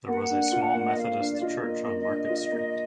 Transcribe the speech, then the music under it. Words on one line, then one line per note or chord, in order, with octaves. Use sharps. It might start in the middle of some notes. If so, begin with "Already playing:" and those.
There was a small Methodist church on Market Street.
A#3 F#5
D4
F4
A#3
D#5
A#3 F5
D4
D5
F4 D#5
A#3
A#3
D4
F4
A#3